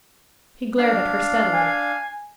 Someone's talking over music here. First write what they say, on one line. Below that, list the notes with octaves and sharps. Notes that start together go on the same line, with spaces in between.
He glared at her steadily.
D4 F5
G#5